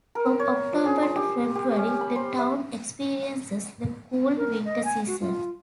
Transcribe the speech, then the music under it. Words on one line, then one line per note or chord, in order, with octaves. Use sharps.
From October to February, the town experiences the cool winter season.
A#4
C#5
F3
G#4
C6
G4
G4
C#4
B5
C5
E5
A#4
D#5
G#5
F#4
F4